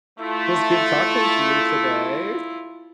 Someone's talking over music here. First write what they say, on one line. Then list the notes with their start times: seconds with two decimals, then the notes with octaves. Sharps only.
it was good talking to you today!
0.19 A3 E4 F4